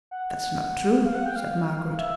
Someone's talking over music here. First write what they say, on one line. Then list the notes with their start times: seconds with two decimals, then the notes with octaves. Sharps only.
'That's not true,' said Margaret.
0.11 F#5
1.05 F5
1.15 F#5
1.26 G5
1.36 F5
1.98 E5